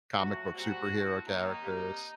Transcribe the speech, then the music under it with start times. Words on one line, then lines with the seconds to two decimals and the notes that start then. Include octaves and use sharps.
comic book superhero characters.
0.17 A#2 F#3 A3 F#4
0.53 A#2 G3 C4 F#4
0.89 A2 A3 C4
1.25 D#3 F#3 A#3 D#4
1.61 C3 G3 A#3